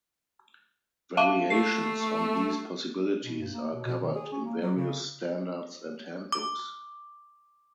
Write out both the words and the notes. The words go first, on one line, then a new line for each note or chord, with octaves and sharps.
Variations on these possibilities are covered in various standards and handbooks.
E5 F5 A5
A3 C7
B2
G2
A#3
B2
B2
D#3
G#4
C#4
A#3
F#3
C#3
D6